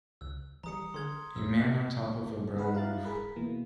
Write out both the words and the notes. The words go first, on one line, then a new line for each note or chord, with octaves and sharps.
A man on top of a brown roof.
C#2 E6 F#6
E3 G3 A#5 D#6 C#7
D3 G#4 C6 F6 G#6 G7
F2 E6
C4 D#4 G#4 B4 F#5 B5
F#3 E4 F5 A#5 F#6 A6
G#4 A#4 B5
B2 E3 A#3